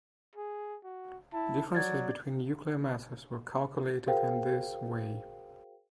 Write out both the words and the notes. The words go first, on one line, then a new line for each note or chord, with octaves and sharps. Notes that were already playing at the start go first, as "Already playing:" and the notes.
Differences between nuclear masses were calculated in this way.
G#4
F#4
E4 A5
F#3 D5 G#6 A6
F#4 G#4 A#4 C5 F5 G5